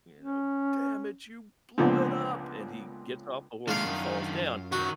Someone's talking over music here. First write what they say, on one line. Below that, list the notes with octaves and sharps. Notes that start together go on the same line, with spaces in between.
you know, "Damn it, you blew it up!" And he gets off the horse and falls down,
C#4
C#2 A#2 D3 F3 B3 C4
D#3 F#3 G#3 A#3 D4 F4 F5
F#2
D#3 F#3 F#4